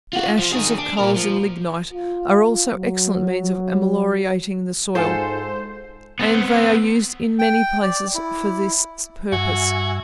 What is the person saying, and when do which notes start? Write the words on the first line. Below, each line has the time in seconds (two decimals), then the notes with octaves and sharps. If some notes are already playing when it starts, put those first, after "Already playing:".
The ashes of coals and lignite are also excellent means of ameliorating the soil, and they are used in many places for this purpose.
0.13 F4 F#5
0.39 F3
0.52 D#3 G#4
0.78 D4
0.99 A#2 A#4
1.17 F3
1.92 F4
2.71 F#3
4.95 G#2 F4 F#4 A4 C5 G#5
6.19 B3 C4
7.39 G5
7.82 D5
8.14 E4
9.32 G2 F#4 E5 G#5